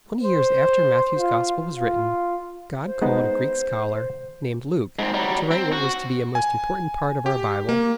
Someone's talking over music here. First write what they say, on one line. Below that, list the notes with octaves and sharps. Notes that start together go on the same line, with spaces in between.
Twenty years after Matthew's Gospel was written, God called a Greek scholar, named Luke, to write what was to be a most important part of our Bible.
C5
F4
F4
C5
G#3 B3 D#4
G#2 C4
F#3 G3
C4
F#4
G#5
G4
A#3